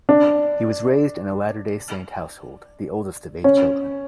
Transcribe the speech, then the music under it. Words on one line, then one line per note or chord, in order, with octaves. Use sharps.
He was raised in a Latter-day Saint household, the oldest of eight children.
D4
C#4